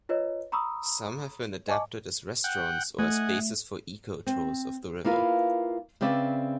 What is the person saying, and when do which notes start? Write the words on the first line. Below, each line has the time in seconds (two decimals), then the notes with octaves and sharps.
Some have been adapted as restaurants or as bases for eco-tours of the river.
0.09 F4 B4 C#5 D#5
0.52 A#5 B5 C#6 D#6 E6
1.68 D#5 G#5 A5 C#6 D6
2.44 F#5 G5
2.99 A3 D#5 F#5 G#5
4.27 C4
5.04 A#3 E4 F4 A#4 B4
6.01 C#3 C4 B4 D5 E5